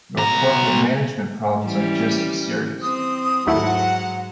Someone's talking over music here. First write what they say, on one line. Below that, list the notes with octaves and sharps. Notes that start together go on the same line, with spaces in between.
Your corporate management problems are just as serious.
B2 A#5
E3 G3 C#4
C4 D#6
D#2 G#2 F#3 A3 E4 F#5